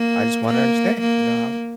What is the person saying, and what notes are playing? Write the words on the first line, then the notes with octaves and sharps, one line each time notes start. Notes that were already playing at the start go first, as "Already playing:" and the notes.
I just wanna understand, you know, how
Already playing: A#3
A#3
A#3